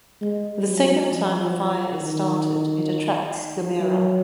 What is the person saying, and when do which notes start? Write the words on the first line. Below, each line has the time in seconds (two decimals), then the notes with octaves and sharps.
The second time the fire is started, it attracts Gamera.
0.21 G#3
0.66 F#3
1.12 F3
2.01 D#3
3.81 F#3